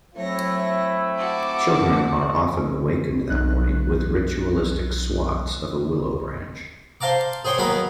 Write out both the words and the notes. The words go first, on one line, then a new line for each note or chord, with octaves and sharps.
Children are often awakened that morning with ritualistic swats of a willow branch.
F#3 A3 C4 E4 C#5 A#6
F#4 A5 D6
B1 F#6
C5 F5 A5 A#5 D6
G#4 C5 C#5 G5
D#2 F#3 B3 G#4 A#4 B5